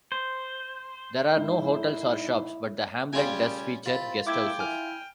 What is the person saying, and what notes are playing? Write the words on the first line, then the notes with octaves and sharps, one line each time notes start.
There are no hotels or shops, but the hamlet does feature guesthouses.
C5
G#2 E4
C#3 G3 A3 C#4 F4 G#5
C2 C4 F4 B5 A6
A#3 E4 G5 D6 G#6
E4 G#5 F6